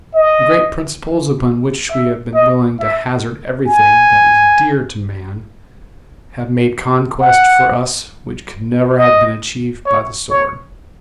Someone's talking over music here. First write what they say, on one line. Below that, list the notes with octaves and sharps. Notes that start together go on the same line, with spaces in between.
The great principles upon which we have been willing to hazard everything that is dear to man, have made conquests for us which could never have been achieved by the sword.
D#5
E5
D#5
E5
G#5
F#5
D#5
C#5
C#5